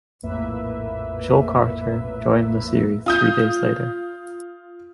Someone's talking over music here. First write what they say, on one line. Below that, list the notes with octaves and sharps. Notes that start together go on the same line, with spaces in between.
Joelle Carter joined the series three days later.
A#1 F2 A2 A#3 B4 E5
F4 D#6 G6